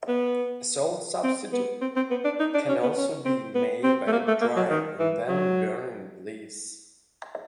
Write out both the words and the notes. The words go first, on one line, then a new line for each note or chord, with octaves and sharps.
A salt-substitute can also be made by drying and then burning the leaves.
B3
C4
B3
C4
C4
B3
D4
D#4
D4
C#4
B3
C#4
C4
B3
C4
A3
A#3
A3
A#3
F#3
D#3
E3
F#3